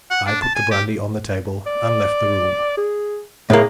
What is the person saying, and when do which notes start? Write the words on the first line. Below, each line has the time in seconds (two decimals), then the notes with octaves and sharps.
I put the brandy on the table and left the room.
0.11 F#5
0.27 D4
0.41 A5
0.56 G#5
0.71 G4
1.67 D5
2.78 G#4
3.50 A2 A#3 G#4